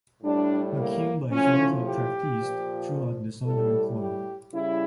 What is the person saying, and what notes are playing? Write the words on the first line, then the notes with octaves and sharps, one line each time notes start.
Macumba is widely practiced throughout the Southern Cone.
A2 G3 D4
A#3
A2 F3 C#4
G4
A#2 F3
A2 G3 A4
G4
C#3 G3 E4